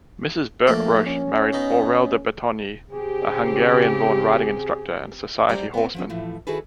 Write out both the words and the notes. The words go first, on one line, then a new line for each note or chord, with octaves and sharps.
Mrs. Burke Roche married Aurel de Batonyi, a Hungarian-born riding instructor and society horseman.
A#1 A3 A#3 D5
C#4
B2 D#4
C#3 C4 G4 G#4
F#2 G3 C5 D5 A#5
B3 C4
F3 F#3 C#4
A2 E3 F3 A3
D#3 E4 F#4 G#4 A4 B4